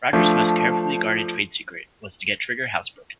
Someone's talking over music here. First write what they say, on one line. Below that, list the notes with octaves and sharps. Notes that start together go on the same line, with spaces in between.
Roger's most carefully guarded trade secret was to get Trigger housebroken.
F3 A3 D4